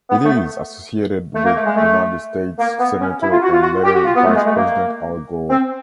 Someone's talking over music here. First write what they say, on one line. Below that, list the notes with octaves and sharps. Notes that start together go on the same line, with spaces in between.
It is associated with United States Senator and later Vice-President Al Gore.
B3
A3
A3
A#3
A3
G#3
A3
A#3
B3
C#4
E4
F4
F#4
F4
F#4
G4
F#4
F4
B3
A3
G#3
A3
A#3
C4